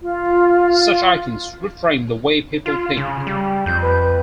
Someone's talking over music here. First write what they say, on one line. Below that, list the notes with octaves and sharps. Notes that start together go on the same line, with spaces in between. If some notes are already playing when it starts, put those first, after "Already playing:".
Such icons reframe the way people think.
F4
F4
C#3
G3
F2 G6
B4